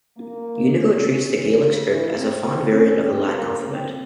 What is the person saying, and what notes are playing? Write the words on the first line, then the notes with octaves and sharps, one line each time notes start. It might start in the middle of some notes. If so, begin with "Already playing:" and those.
Unicode treats the Gaelic script as a font variant of the Latin alphabet.
A#3
C#4
C#4
E3
C#3
E3
C4
C#4
C4
A#3
C4